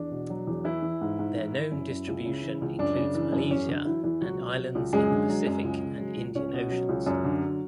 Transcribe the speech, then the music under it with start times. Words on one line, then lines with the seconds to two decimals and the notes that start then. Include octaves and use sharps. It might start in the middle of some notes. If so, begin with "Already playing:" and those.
Their known distribution includes Malesia and islands in the Pacific and Indian oceans.
Already playing: E2 D4
0.11 B2
0.30 F#3
0.47 E2
0.64 E3 E4
0.82 E3
1.01 G#2
1.19 G#2
1.37 E3
1.54 E3
1.72 F#2
1.90 F#2
2.07 C#2
2.25 C#3
2.43 E3
2.61 C#2
2.79 F#2 D4
2.97 C#3
3.15 E3
3.32 F#2
3.50 E2 C#4
3.68 D3
3.85 E3 F#3 E4
4.04 E2 E3 E4
4.21 C#2 F#3 F#4
4.40 B2
4.58 F#3
4.75 C#2
4.93 F#2 G#3 G#4
5.11 D3
5.28 F#3
5.47 F#2
5.64 C#2
5.82 C#3
6.00 F#3
6.17 C#2
6.35 C#2 C#4 C#5
6.53 B2
6.71 F#3
6.89 C#2
7.06 F#2
7.24 D3
7.42 F#3